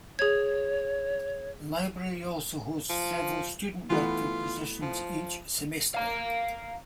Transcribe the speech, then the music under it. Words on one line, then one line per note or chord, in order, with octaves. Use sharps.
The Library also hosts several student-worker positions each semester.
G#4 C#5 G#6
F3
E3 A3 B3 F4
F3
F5 A#5